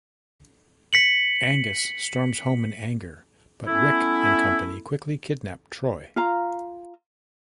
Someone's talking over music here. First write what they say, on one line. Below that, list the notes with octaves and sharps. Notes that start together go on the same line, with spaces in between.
Angus storms home in anger, but Rick and company quickly kidnap Troy.
B6 C#7 F#7
A3 B3 C#4 E4
F4 F5 A#5